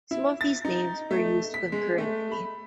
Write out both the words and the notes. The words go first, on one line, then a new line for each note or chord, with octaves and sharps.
Some of these names were used concurrently.
E4
A6
D#4
A3
B6
G#3
A3
B5